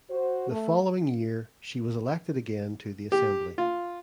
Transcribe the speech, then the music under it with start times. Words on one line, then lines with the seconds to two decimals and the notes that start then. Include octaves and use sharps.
The following year she was elected again to the Assembly.
0.11 F#4 C5
0.50 A3
3.12 G4
3.58 F4